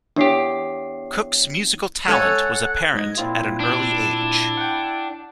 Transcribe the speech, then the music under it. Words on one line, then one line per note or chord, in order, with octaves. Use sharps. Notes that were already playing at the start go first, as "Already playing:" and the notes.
Cook's musical talent was apparent at an early age.
E2 D4 G4 C#5 C7
A4 C#5 F#5 G#5
G#2 D#5 G#6
A#2 C4 E4 F4
D4
F#5 G5